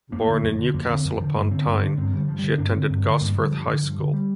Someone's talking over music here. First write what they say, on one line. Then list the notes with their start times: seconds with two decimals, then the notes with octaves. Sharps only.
Born in Newcastle upon Tyne, she attended Gosforth High School.
0.12 F2 A#3
0.28 D3
0.43 F2
0.59 D3
0.74 F2 A#3
0.89 D3 C4
1.05 F2
1.20 D3 F3
1.35 G2 A#3
1.51 D3 C4
1.67 G2 C4
1.82 D3 D4
1.97 G2 C4
2.13 D3 G3
2.28 G2 F3
2.39 G3
2.43 D3
2.49 C4
2.58 G2 D4
2.67 C4
2.74 D3
2.90 G2
3.05 D3
3.21 G2 A#3
3.36 D3 G3
3.52 G2 F3
3.67 D3
3.83 G2
3.99 D3
4.13 G3